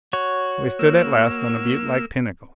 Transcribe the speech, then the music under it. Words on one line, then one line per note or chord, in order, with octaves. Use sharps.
We stood at last on a buttelike pinnacle.
F#4 C#5
A#3 E6